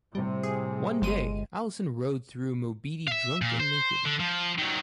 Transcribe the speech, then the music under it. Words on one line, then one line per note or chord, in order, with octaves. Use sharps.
One day, Allison rode through Mobeetie drunk and naked.
A2 C3 G3
G#4
G1 G#3 D#7
E5 F5
A#2
C5
D3
F3
D#3 F#3